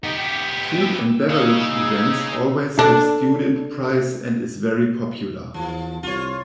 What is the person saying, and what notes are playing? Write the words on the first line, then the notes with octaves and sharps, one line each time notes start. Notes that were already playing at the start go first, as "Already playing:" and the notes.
Food and beverage events always have student price and is very popular.
B3 D#4 G4
G5 B6
E6
D#4 G#4 F5
D4 A4
E2 F3
C2 F4 C#5